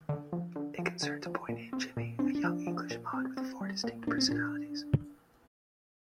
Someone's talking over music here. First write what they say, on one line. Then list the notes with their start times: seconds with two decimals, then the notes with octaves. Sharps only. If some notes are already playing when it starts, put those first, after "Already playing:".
It concerns a boy named Jimmy, a young English Mod with four distinct personalities.
0.09 D3
0.33 F3
0.56 D3
0.79 F3
1.02 D3
1.26 F3
1.49 A#2
1.73 C4
1.97 A#2
2.19 C4 D4
2.35 D4
2.44 F3
2.67 F3
2.91 A#2
3.13 C4
3.37 C4
3.61 G3
3.84 A#2
4.07 A#2 D4
4.18 C4
4.29 A#2 D4